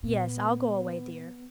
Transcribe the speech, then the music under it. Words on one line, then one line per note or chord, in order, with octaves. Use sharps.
'Yes, I'll go away, dear.
A#2 B3